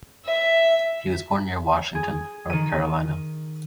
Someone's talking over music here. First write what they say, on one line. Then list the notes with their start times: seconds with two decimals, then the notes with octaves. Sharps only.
He was born near Washington, North Carolina.
0.25 E5
1.95 G#4
2.50 D#3 D#7